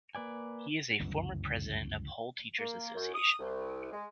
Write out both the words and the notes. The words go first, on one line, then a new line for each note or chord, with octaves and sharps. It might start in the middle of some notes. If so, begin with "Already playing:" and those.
He is a former President of Hull Teachers Association.
A#3 B4 D5 G#5
G1 C#2 F#2 E3
A#3
F#2
D#6
C2
G#3